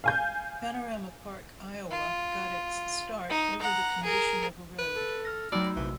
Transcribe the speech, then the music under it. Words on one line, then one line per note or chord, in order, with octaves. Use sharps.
Panorama Park, Iowa, got its start over the condition of a road.
F5 G#5 G6
F4
D#4
F#5 A#5
G#4 A#4
B4
A4
F6 A#6
F#3 A3 D#4 F#4 D5 G5 B5 E6
A#1 C3 E3